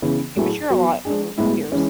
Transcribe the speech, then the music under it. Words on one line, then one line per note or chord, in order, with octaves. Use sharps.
Like, you mature a lot over years.
C#3 E3 B3
A2 F#3 A3 E4 G#4
F#3 B3 F#4
G#3 D4 G#4
A2 G#3 B3 E4
E3 G#3 C#4